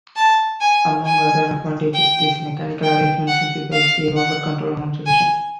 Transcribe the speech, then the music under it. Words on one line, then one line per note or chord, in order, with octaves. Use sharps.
Among other advantages, this mechanical arrangement simplifies the Robot control arm solution.
A5
G#5
G#5
G5
G5
F#5
F5
F#5
G#5